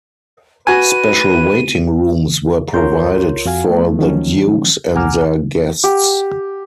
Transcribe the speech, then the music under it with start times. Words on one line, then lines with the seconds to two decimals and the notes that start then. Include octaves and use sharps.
Special waiting rooms were provided for the dukes and their guests.
0.67 F#4 B4 G#5 D#7
2.74 C#2 F4 A#4 C#5 C6 G6
3.45 F2 F#4 F5 G#5
3.69 F3 A3 B3
3.99 D#3 F3 F#3 C#4
4.95 C2 F#5 G#5 A#5 D6 F6
5.84 G4